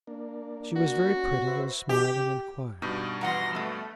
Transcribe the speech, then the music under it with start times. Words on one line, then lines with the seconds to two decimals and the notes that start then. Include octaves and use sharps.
She was very pretty and smiling and quiet.
0.07 A#3 D4
0.76 F#4
1.16 C#4
1.47 B4 C5 E5
1.89 G4
2.82 G2 B2 D#4
3.21 E3 F4 F#5 A#5 C6 A#6
3.55 A3 A4 B4